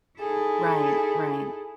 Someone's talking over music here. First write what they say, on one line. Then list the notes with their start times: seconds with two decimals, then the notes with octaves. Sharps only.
Right, right.
0.20 D#4 E4 G#4 A4